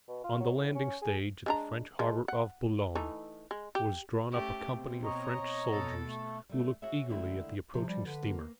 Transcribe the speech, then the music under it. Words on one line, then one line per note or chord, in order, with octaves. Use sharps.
On the landing stage at the French harbor of Boulogne was drawn up a company of French soldiers, who looked eagerly at the approaching steamer.
B2
F4
F#3
A2
C#4
G#4
G#3 D4 A#5
F3 G#3
F#5
E3 A3 D#4
G#3
G4
A3 C#4 G4
B2 C4
C#5 D#5 A#5
B2 A4
A3
G3 A3
F#4 G#4 C#5 E5
D3 D#3 G#3 A3 D#4 E4
C3 F3
G3
D3 B4
A#3